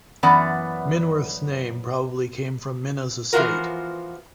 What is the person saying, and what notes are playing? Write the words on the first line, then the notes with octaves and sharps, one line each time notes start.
Minworth's name probably came from "Mynna's Estate".
F#2 E3 B3 D5 F#5
E3 F3 B3 F4 F#4 A#4